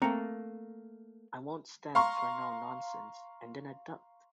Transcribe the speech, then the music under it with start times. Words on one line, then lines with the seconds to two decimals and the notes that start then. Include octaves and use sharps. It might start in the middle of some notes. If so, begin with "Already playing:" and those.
I won't stand for no nonsense, and then I duck.
0.02 A3 A#3 C4 A#5 C#7
1.95 F5 A#5 C6 C#6